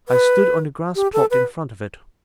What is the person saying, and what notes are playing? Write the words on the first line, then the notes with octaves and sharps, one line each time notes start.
I stood on the grass-plot in front of it.
B4
G4
A4
B4